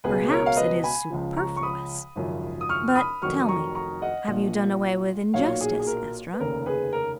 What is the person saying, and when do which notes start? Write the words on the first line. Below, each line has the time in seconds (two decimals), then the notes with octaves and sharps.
"Perhaps it is superfluous; but--tell me--have you done away with injustice, Estra?"
0.04 C#2 B2 F#3 G#4 B4
0.31 A#4 C#5
0.46 F5
0.57 B4 D#5
0.84 G#5 B5
1.10 C#2 C#3 F3
1.36 A#5 C#6
1.56 C#6
1.63 B5 D#6
2.16 G#1 F#2 C#3 F3
2.61 D#6
2.69 C#6 F6
2.88 F6
2.95 B5 D#6
3.22 F1 F2 D#3 F#3 C#6 F6
3.48 A#5 C#6
3.75 A#5 C#6
4.02 D#5 F#5
4.28 A#1 A#2 F3
5.34 B1 A#2 F#3 C#5 F5
5.61 G#4
5.79 G#4
5.87 A#4
6.33 B4
6.40 F1 D#2 C#3 A#4
6.66 G#4 B4
6.93 A#4